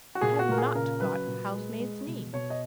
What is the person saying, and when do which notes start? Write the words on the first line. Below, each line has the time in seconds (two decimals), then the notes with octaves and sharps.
I have not got housemaid's knee.
0.15 F#4
0.21 A#2 G#4
0.39 F#4
0.49 A#2 A#4
0.58 G#4
0.75 C#3 A#4
1.01 F#3 B4
1.27 A#2
1.54 G#3
1.80 G#3
2.07 B2
2.33 B2 C#5
2.50 D#5